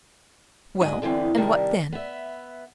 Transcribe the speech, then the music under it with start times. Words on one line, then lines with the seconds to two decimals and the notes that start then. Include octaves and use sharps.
"Well, and what then?"
0.81 G#2 F#3 D#5 G#5
1.02 D3 E3 B3 C4
1.37 C3 D#3 G3 A#4 A5
1.92 B3 E5